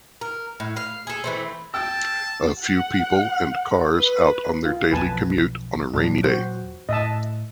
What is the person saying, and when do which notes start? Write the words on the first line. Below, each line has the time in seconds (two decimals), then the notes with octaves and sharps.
A few people and cars out on their daily commute on a rainy day.
0.21 A#4
0.60 A2
0.77 F5
1.07 G#4 A4
1.24 E3 A3 C4
1.74 G5 A5 E6 A6
2.64 F#5
3.97 B4
4.65 F4
4.92 B1 F2 B4 G#5 A5
5.94 E2 A#2 F#3 D4
6.24 F#4 C5
6.89 A2 D#5 E5 A5